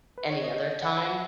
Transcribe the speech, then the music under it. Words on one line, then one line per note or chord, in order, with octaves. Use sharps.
any other time.
B4
C#5
D#5
F#5
F#5